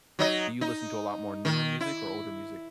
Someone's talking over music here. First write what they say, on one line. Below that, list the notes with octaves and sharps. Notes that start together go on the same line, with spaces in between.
Do you listen to a lot more newer music or older music?
F#3 D#4 D#5
D#4
D#3
E4